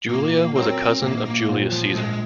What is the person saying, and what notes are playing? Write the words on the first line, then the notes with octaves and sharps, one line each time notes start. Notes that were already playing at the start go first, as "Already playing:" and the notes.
Julia was a cousin of Julius Caesar.
A#2 A#3
F#3 C4 C#4 F#4 A#4
A#1 A#3
A#3
A#2 F#3 C4 F4
F3
A#1 G#3